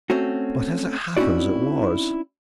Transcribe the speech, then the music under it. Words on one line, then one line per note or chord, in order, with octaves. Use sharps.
But as it happens, it was.
A3 C4 C#4 F#4
C4 C#4 D#4 E4 F#4 D5